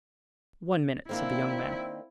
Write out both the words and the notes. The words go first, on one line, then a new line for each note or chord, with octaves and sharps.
"One minute," said the young man.
D#3 A#3 C4 D4 E4